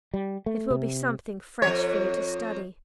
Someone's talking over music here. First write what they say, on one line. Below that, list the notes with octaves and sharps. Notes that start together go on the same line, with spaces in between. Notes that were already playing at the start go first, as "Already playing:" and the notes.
"It will be something fresh for you to study."
G3
A3
C3
F2 C#5